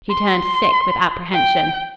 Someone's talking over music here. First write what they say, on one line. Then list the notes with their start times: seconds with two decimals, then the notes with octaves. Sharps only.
She turned sick with apprehension.
0.10 C6
1.33 G5